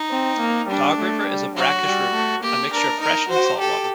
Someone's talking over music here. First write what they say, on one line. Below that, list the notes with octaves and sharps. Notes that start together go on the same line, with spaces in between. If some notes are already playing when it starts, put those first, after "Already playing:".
Dog River is a brackish river - a mixture of fresh and saltwater.
Already playing: D#4
C4
A#3
G3 D4
A3
G3
F#3 F#4
G3
A3
A#3 G4
D4 A#4
D#4 A#4
F#4 C5
G4 A4